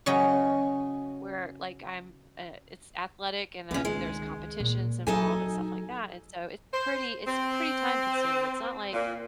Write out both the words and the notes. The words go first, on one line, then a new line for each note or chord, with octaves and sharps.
where, like, I'm, uh it's athletic, and I'm there's competitions involved and stuff like that, and so, it's pretty it's pretty time consuming, it's not like
C#3 F#3 C#4 D#5
C#2 D#3 B3 C#4
G#3
A#2
F#3 D#4 A4 G#5
C5
C4
A#2